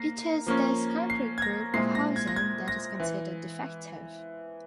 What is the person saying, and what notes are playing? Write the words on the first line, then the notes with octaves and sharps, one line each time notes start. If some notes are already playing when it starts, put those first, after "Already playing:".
It is this concrete group of housing that is considered defective.
Already playing: A#3 A#6 C7
F3 A#3 C#4
C7
G#6
A#6
A#2 G#3 C4 E4 C7
A#6
G#6
A#6
G#6
A#6
E3